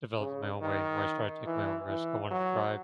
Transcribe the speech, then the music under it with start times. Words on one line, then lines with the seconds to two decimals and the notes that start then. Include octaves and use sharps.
developed in my own way where I started to take my own risk, I wanted to drive.
0.19 C#3
0.61 D#3
1.46 E3
1.88 E3
2.31 F#3